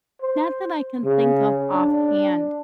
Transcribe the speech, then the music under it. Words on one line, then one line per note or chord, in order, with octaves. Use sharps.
Not that I can think of offhand,
C5
C#3
D4